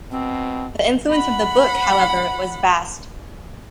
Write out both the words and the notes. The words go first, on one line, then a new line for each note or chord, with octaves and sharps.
The influence of the book, however, was vast.
B2 C4
F#5 B5